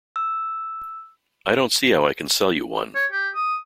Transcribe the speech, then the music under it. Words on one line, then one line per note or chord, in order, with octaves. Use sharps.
I don't see how I can sell you one.
E6
C#5
G4
D#6